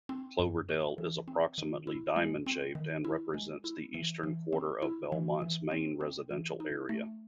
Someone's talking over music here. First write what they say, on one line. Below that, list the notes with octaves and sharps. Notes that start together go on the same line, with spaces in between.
Cloverdale is approximately diamond-shaped, and represents the eastern quarter of Belmont's main residential area.
C4
F#2
F#4
E3
C4
D#3
E4
G#3
C4
D#3
E4
G#3
E4
E3
E3
C4
E4
E3
E3
C4
C4
E3
D#4
A3